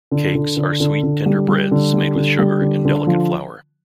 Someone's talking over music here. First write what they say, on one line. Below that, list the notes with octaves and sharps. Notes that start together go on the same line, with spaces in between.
Cakes are sweet tender breads made with sugar and delicate flour.
D3
D3
D3
D3
D3
G3
G3
D3
G3
D3
G3
D3
D3
F3